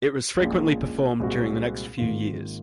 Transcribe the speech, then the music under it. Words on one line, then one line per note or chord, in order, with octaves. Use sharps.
It was frequently performed during the next few years.
A#1 A#2 G#3 C#4 F4
C2 A#2 G#3 C4 F#4
G#1 G#2 D#3 A#3 F4